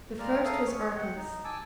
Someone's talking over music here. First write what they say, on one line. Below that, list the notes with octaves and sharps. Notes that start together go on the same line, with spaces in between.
The first was Arcas.
G#3 A#3 D5 A#5 F6
A4 A#4 E5 F5 D#6
G#4 C#5
F#5 G5
D#4
G#5 A5 D6 E6